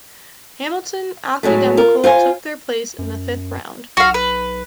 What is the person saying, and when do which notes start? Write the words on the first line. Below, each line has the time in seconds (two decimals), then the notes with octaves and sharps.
Hamilton Academical took their place in the fifth round.
1.43 A2 F#3 G#3 A3
1.77 F4 A#4
2.04 F4 C5 F5 G#5
2.99 F#2
3.97 B1 F#4 F5
4.14 B4